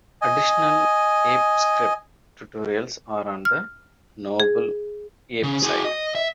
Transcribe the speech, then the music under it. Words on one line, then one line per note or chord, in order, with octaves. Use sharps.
Additional ApeScript tutorials are on the Noble Ape site.
D#5 G#5
F6
G#4
C#3
F#4 G#4
D#5
E5